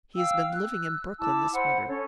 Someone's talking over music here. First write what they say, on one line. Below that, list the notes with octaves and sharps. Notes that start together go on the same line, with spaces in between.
He has been living in Brooklyn this winter.
F5 G5 E6
E6 F#6
E4 A5 D6 E6
C5 F#5 B5
C#4 A4 C#5